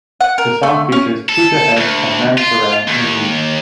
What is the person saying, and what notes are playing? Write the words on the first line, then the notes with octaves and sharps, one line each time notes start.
The song features Pooja Hegde and Ram Charan in leads.
F#5
A#4
A3
C#4
A4
D2
F4
D#2